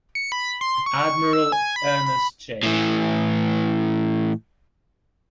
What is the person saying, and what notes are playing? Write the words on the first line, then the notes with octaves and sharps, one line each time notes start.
Admiral Ernest J.
C#7
B5
C6
C#6
C#6
E6
G#5
B5
B5
A2 E3